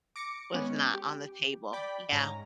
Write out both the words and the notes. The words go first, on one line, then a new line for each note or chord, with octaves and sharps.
Was not on the table. Yeah.
D6 A#6 C#7
G#3 B3 C#4
G4
D5 G5 B5
G#2 C#4 A#5